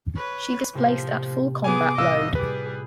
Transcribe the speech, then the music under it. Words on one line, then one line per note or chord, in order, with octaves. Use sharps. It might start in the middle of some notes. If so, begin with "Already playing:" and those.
She displaced at full combat load.
B4 C#5
A2 C3 F3 A#3
B3 G#4 G#5 D6
C2 A2 F4 D#5 F5 E6 F#6
G3 G#4 B4